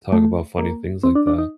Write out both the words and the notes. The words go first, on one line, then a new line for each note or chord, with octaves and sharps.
talk about funny things like that.
A3
A#3
C4
D4
D4
D#4